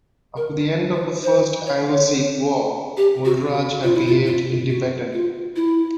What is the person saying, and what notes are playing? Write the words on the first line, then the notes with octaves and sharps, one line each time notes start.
After the end of the First Anglo-Sikh war, Mulraj had behaved independently.
A#4
B4
C5
C#5
G4
F#4
F4
E4
F4
F4
F#4
F4
E4